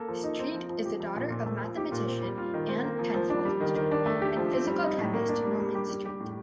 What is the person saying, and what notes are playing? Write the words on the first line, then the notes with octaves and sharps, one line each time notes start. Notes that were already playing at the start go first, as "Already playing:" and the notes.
Street is the daughter of mathematician Anne Penfold Street and physical chemist Norman Street.
Already playing: A#3 A4
F3
D#4
C4
F3
F3
G4
F3
A#2
A#2
A3
F3
G4
A#2
C4
G3
F4
D#3
C4
A#3
F3
F3
D4
G3
D#3
D#3
D4
A3
G4
F3
C4
G3
D#4
A2
A#3
D4
G3
G3
G4
G3
G4
A2